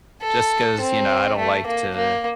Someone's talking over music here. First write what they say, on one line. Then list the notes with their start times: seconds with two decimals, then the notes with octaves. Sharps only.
just 'cause, you know, I don't like to
0.22 A4
0.81 C4
1.38 A3
1.67 A#3
1.96 A#3